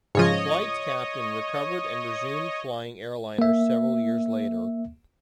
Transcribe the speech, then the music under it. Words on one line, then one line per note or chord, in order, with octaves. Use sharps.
The flight's captain recovered and resumed flying airliners several years later.
G#2 C#3 F3 C#5 D#5
A#3 E5